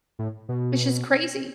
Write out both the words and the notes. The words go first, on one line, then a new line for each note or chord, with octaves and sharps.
Which is crazy.
A2
B2